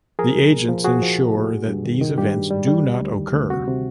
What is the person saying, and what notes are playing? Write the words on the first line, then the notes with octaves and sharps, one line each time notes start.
The agents ensure that these events do not occur.
F3 G#4 A#4
C2
A#2
F3
F3 F#4 G#4
F3
C2
A#2
G2
G2
D#3
D#3
G2 G4
G3
G3
G3
D2
D2
D#3
D2
C3 F#4
C3